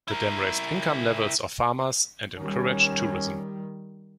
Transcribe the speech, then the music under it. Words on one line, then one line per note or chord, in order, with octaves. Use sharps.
The dam raised income levels of farmers and encouraged tourism.
E4 A#4
D#3 G3 C#4